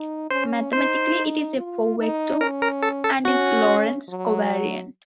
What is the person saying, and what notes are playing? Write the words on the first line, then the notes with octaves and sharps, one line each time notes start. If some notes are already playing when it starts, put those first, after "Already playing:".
Mathematically it is a four-vector, and is Lorentz covariant.
Already playing: D#4
C#4 C5
D#4 C5
D#4
F4
D#4
C#4 A#4
A#4
A4
A4
C#4 F#4
F#3